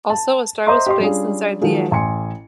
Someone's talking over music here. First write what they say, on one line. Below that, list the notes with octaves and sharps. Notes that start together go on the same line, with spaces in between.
Also, a star was placed inside the "A".
A5
C5 D#5 E5 A#5 C6
G4 D#5 C6
G3 C#4 D4 F4 G#4
D#3 F3 F#3 G#3
A1 G#5 C6 C#7